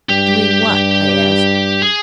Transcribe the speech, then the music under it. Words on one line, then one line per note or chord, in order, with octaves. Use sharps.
"Doing what?" I asked.
G2 G4
G2
G#4